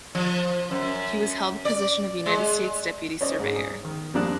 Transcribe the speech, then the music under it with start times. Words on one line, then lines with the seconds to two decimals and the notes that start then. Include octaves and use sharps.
He was held the position of United States Deputy Surveyor.
0.15 F3
0.71 F#2
1.65 D5
2.26 G#3
3.21 C#4 C5 D5 D#5
3.39 G#2 G#3
3.56 D#6
3.85 D#3
4.14 F2 G3 A#3 D4 D#6 F#6